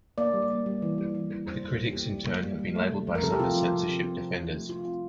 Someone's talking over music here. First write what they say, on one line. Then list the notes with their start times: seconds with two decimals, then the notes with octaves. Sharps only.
The critics, in turn, have been labelled by some as "censorship defenders".
0.18 A#3 D5
0.34 G3
0.50 A#3
0.66 G3
0.82 E3
0.98 G3
1.15 E3
1.31 E3
1.46 E3 C5
1.63 E3
1.68 A4
1.79 E3
1.90 A#3 G4
2.11 G3
2.27 A#3
2.43 G3
2.59 G3
2.76 A3
2.91 C3
3.07 F3
3.15 A#4
3.23 C3 A4
3.32 G4
3.40 C3 F4
3.56 F3
3.73 C3
3.89 C3
4.04 C4
4.21 F3
4.37 C4
4.53 A3
4.69 C3 F4
4.85 C4